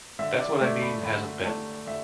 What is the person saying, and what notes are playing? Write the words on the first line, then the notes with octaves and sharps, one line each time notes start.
That’s what I mean hasn’t been.
D3 E5
D5
A3 D4 E5
B5
D3 B5
A3 D4 A5
D3 E5